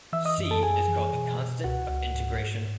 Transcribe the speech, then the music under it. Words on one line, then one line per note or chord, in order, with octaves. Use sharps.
"C" is called the constant of integration.
E3 E5 E6
D#5 D#6
F#2
A4 A5
F#2 G#4 G#5
E3
B2
B2
C#2 F#4 F#5
C#2
G#2
G#2